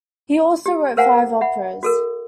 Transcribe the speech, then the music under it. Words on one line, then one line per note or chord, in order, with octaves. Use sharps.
He also wrote five operas.
G4
A#4 C5 F5 F#5 G#5 A#5
E5 F#5 B5
F#4 A4 A#4